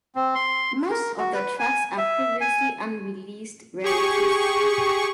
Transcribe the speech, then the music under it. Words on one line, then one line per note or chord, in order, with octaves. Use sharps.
Most of the tracks are previously unreleased rarities.
C4
C6
A#4
F#4
B4
G#5
E5
G#5
G4 G#4 C#6